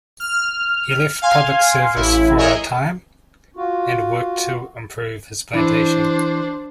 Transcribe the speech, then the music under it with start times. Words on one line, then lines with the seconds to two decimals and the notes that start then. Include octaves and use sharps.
He left public service for a time, and worked to improve his plantation.
0.20 F6
1.22 F5 G#5 C6
1.96 A1 E4
2.38 G#4 A#4 C#5 D#5 E5 G#5
3.56 F4 F#4
5.54 E3 D4 C5